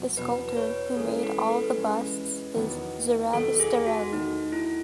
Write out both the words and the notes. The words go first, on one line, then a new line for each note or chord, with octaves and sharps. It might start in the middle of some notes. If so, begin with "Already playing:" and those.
The sculptor who made all the busts is Zurab Tsereteli.
Already playing: E2 B2 F#3 B3
E2 B2 F#3 B3 B4
B4
C#5
E3 G#3 C#4 G#4 A4
A4
B4
A4
B4
E3 G#3 C#4 G#4
E2 D#3 F#3 B3
E2 D#3 F#3 B3 A4
G#4
F#4
E2 D#3 A3 D#4
E4